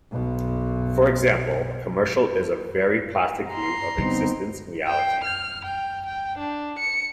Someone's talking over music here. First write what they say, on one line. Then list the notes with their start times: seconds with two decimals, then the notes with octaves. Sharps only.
For example, a commercial is a very plastic view of existence and reality.
0.12 B1 B2
3.48 A#5 C6
3.98 D3 G3 B3 C4 D#4
4.87 G5
5.24 F6
5.65 G5
6.06 G5
6.38 D4
6.79 C#7